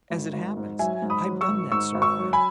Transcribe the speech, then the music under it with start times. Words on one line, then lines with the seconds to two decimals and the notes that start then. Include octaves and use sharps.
As it happens, I've done that sort of thing.
0.10 G#1
0.33 G#1
0.57 G#2
0.79 F#3 E5 G#5
1.02 G#2
1.10 B5 D#6
1.26 F#3
1.41 C#6 E6
1.48 G#1
1.72 G#2 C#6 E6
1.94 G#1
2.02 C#6 E6
2.17 F#3
2.33 G#5 B5